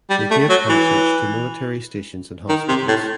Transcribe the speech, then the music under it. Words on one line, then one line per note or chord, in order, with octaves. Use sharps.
They gave concerts to military stations and hospitals.
G3
A3
F#3
E3
D#3
C3
A2